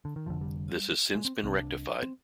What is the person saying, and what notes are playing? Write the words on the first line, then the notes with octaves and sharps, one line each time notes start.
This has since been rectified.
D3
D#3
F1 F2 D3 F3
G3
G#3
C4
C2 C3 C4
D4
C4